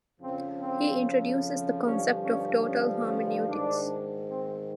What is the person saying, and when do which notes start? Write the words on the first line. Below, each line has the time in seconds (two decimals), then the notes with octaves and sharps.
He introduces the concept of 'total hermeneutics'.
0.19 F2 C#3 F3 C4
0.60 C4
1.82 G2 D3 F3 C#4
2.23 C#4
2.65 C#4
3.05 C#4
3.46 G#2 D#3 D4
4.29 C4